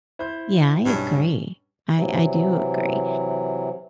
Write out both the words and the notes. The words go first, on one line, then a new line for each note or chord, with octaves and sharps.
Yeah, I agree. I I do agree.
E4 C5 G6
B1 G2 C#4
C3 E3 F#3